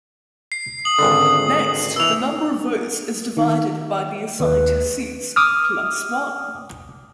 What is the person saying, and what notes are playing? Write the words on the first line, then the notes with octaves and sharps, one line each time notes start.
Next, the number of votes is divided by the assigned seats "plus one".
C7
D#6 F#7
G#1 C#2 D3
B2 E3 E6 F7
D#3
D#2 B4
D6 D#6 F6